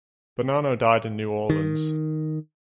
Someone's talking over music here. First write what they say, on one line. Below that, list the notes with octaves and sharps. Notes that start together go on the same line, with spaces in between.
Bonano died in New Orleans.
D#3